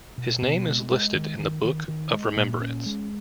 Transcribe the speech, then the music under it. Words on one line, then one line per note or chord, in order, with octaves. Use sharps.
His name is listed in the Book of Remembrance.
B2
B2
G#3
G#3
D#3
D#3
D#3
D#3
G#3
A#2
C#4
G#3